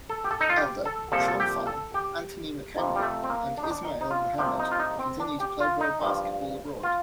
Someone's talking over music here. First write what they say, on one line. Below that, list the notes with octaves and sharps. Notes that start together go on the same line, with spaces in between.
Elder, Shaun Fein, Anthony McHenry and Isma'il Muhammad continue to play pro basketball abroad.
A4
G4
A4
D#4
F4
G4
A4
C2 A#2 F3 A4
A4
G4
A4
G4
F2 C3 F3
G3
A3
C4
A#3
D4
D#4
D4
D#4
D#4
F4
C2 C3 F3 G4
D#4
F4
D#4
C4
D4
G4
F4
D#4
G2 F3
F4